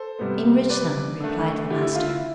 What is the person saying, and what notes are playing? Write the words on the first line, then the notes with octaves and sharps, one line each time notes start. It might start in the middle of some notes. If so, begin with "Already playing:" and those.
"Enrich them," replied the Master.
Already playing: A4 C5
C3 G3 B3
B4 D5
D3 A3
E4 G4
E4
F4
E4